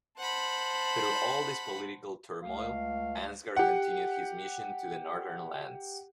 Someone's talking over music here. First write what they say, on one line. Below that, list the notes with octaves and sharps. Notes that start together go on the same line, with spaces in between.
Through all this political turmoil, Ansgar continued his mission to the northern lands.
C5 F#5 A5 B5
C#2 A3 F5
G4 F#5